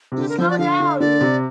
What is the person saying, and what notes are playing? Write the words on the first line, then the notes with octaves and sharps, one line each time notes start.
Slow down!
C3
D3 G4
A#4
F3 C5
D5
D3 F5
D3
D3 D5
C3